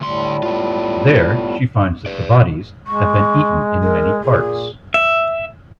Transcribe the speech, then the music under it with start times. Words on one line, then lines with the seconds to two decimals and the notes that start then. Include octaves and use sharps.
There, she finds that the bodies have been eaten in many parts.
0.01 D2 A2 G3 C6
0.43 B3 F4
2.06 B4 D5
2.87 G#3 C#6
3.83 A#4
4.23 A#2 G#4
4.94 E5